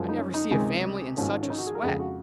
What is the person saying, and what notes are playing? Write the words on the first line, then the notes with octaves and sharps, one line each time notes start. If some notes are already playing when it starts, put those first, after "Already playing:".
I never see a family in such a sweat.
Already playing: F#2 F3 G#3
D#4
C#4
D#4
C#2 C3 D#3 G#3 D#4
G#1 G#2 F3 C#4
C#4
D#4
F#4
G#4
A#4
F2 C#3 G#3 G#4
F#4